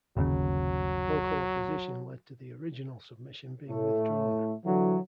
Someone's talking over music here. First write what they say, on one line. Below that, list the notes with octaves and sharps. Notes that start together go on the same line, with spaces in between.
Local opposition led to the original submission being withdrawn.
G1 D#2 C#3 F#3
A2 A3
D3 E3 F#3